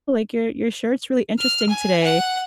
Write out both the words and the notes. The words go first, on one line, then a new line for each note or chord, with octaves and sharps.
like your your shirt's really interesting today."
F6
G#5
F#5